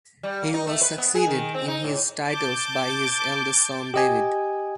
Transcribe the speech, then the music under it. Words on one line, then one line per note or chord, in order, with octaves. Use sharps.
He was succeeded in his titles by his eldest son David.
G3
A#3
D#4
A3
B4
B3
G#4
D#3
C4
D#4
A2
A5 D6 G6
G4 D#5 G#5